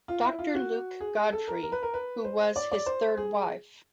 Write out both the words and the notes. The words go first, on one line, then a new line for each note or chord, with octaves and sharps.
Doctor Luke Godfrey, who was his third wife.
F4
E4
F4
F#4
G#4
A4
A#4
A#4
B4
A#4
B4
C5
D5
D5
C5
G#4